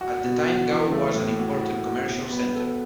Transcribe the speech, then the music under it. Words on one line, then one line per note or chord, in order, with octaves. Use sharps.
At the time Gao was an important commercial center.
F#4
B2
F#4
E3
A3
A2
F#4
F#4
F#4
B2
B3
A4